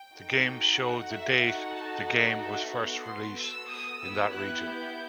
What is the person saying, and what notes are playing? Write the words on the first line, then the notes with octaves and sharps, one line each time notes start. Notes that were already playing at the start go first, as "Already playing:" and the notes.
The games show the date the game was first release in that region.
Already playing: G5
D#4 F#4 A4
F#5
E5
D#4 F#4 A4 F#5
A5
F#5
E5
B3 F#4 A4 F#5
C6
E6
D#6
B3 E4 G4 E6
F#6
G6